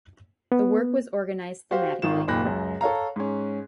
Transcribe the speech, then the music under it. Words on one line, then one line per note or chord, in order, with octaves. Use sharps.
The work was organized thematically.
B3
F#4 G4 C5 F5
G#1 D#3 F4 E7
F#1 D#2 A#2 B5 F#6 A#6
C#2 F#2
A4 C#5 F5 A#5
G#2 C#4